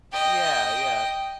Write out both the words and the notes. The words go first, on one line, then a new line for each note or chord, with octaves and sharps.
Yeah, yeah.
D#5 G5